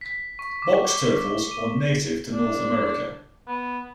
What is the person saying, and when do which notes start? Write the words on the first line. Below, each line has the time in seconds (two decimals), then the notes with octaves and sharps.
Box turtles are native to North America.
0.01 B6
0.39 C#6
0.62 D6
0.90 G7
1.28 C#6
1.51 D#7
2.33 D4
3.48 B3